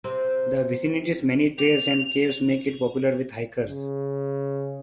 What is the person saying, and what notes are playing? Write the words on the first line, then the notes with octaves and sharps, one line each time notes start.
The vicinity's many trails and caves make it popular with hikers.
C3 C4
G4 F7
C#3